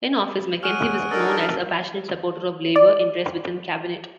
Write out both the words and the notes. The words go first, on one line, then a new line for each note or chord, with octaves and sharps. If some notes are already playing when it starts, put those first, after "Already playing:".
In office, Mackenzie was known as a passionate supporter of labour interests within cabinet.
G#4 C#5 F#5 F6 D7 D#7
D4 D#4 A4 A#4 E6 A6
D5